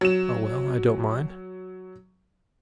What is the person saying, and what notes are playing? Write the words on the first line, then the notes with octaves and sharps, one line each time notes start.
"Oh well--I don't mind."
F#3 E7